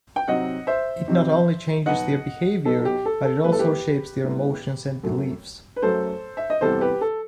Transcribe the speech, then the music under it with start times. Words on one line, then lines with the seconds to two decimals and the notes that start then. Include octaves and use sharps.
It not only changes their behavior, but it also shapes their emotions and beliefs.
0.16 G5
0.28 C3 F#3 C4 D#4 D#5 F#5
0.67 C5 E5
1.08 C3 F#3 C4 D#4
1.86 B2 F#3 B3 D#4 D#5 F#5
2.65 B2 F#3 B3 D#4 A4
2.85 G4
3.06 A4
3.25 A4
3.44 A2 G3 B3 B4
3.52 A4
3.59 G4 B4
4.24 A2 G3 B3
5.03 F#2 F#3 A3
5.76 B4
5.82 F#2 F#3 A3 A4 C5
6.37 E5
6.50 D#5
6.61 E2 C3 E3 G3 A4 C5
6.81 G4 B4
7.01 A4